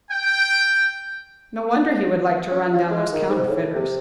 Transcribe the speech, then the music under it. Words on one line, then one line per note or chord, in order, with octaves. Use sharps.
No wonder he would like to run down those counterfeiters.
G5
C#4
F4
G#3
D#3
G#2
A2
C3